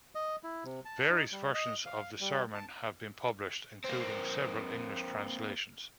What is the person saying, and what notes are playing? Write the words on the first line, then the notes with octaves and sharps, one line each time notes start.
Various versions of the sermon have been published, including several English translations.
D#5
E4
C3
A5
D#4
G3
D#5
F5
G3
A5
A#3 C4